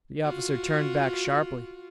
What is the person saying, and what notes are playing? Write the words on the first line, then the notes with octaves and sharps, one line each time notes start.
The officer turned back sharply.
F4 F#4